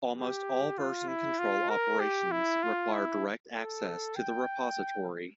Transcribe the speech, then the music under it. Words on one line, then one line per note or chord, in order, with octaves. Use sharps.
Almost all version control operations require direct access to the "repository".
G4
F4
E4
F4
A#4
G4
E4
F4
E4
A4
G5